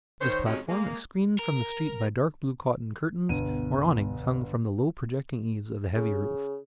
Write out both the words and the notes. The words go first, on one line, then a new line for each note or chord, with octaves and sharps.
This platform is screened from the street by dark blue cotton curtains or awnings hung from the low projecting eaves of the heavy roof.
D#3 C5 C#5
F2 C3 G#3 C#4 D#4 F#4
G#3 A#3
A#4
G1 C#2 B2 B3 D#7
C#3